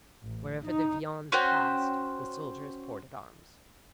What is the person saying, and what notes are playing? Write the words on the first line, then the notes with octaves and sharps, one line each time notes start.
Wherever the viande passed, the soldiers ported arms.
A1
D#4
C#4 F#4 C5 G5